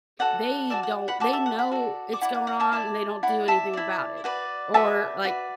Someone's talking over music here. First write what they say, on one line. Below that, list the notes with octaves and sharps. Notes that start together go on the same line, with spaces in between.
they don't they know it's going on and they don't do anything about it, or, like,
F#4 A4 D5 F#5
F#4 A4 D5 E5 A5
F#5
F#5 B5
F#4 A4 D5 A5 D6
E5 A5
F#5
F#5 B5
F#4 A4 D5
D6
E4 D5 F#5 B5
F#5
F#5
E5 A5
E4 D5 A5 D6
E4 D5 F#5 B5
E5 A5
E4 D5
F#4 B4 D5
F#4 B4 D5 E5 A5
F#4 B4 D5